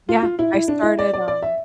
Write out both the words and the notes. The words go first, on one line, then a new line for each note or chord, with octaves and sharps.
Yeah, I started, um,
F4
F4
E4
E4
D4
E4
D5
D5
D5
E5